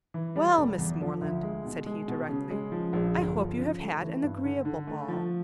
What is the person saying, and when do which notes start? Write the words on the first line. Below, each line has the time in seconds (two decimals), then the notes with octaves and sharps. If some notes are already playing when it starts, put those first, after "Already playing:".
"Well, Miss Morland," said he, directly, "I hope you have had an agreeable ball."
0.14 E3
0.36 G3
0.57 F1
0.78 E2
1.01 F3
1.21 D2
1.43 G#3
1.65 B2
1.86 G#3
2.08 B2
2.29 C#3
2.50 G#3
2.72 F3
2.93 A#1
3.15 G1
3.36 F3
3.58 C#3
3.79 A3
4.01 E3
4.23 G2
4.44 D3
4.65 D3
4.87 A3
5.08 F3